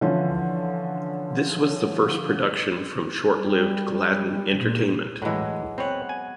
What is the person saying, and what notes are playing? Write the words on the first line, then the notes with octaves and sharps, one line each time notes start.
This was the first production from short-lived Gladden Entertainment.
D3 E3 F3 C#4
G3
A#2
A2 E3 F#3 G#3
B3 C4 C#5 F#5
G#5